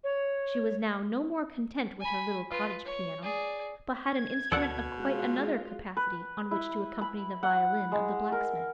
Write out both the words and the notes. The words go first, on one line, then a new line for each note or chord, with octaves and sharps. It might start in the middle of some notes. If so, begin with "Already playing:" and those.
She was now no more content with her little cottage piano, but had an instrument of quite another capacity on which to accompany the violin of the blacksmith.
C#5
G#5 B5
F4 B4
C#5
G#4 D5
G#6
D2 B2 A4 D5 F#5
G#3 F4 F#4 F#6
B4
E4
B5
F#5
G#3
A#4